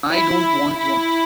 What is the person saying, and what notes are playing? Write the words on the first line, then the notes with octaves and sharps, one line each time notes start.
I don't want one.
E4
E4